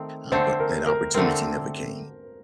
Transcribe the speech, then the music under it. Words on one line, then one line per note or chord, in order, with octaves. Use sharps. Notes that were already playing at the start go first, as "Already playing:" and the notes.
uh, but that opportunity never came.
Already playing: D#3 A3 C4
D3 A3 C4 C5
A#4
A#4
D3 A3 C4 A#4